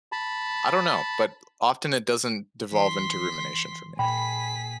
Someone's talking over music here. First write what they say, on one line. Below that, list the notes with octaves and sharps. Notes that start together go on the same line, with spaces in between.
I don't know, but often, it doesn't devolve into rumination for me.
A5 B5
E3 C6 B6
A#2 G#4 G5 B5 B6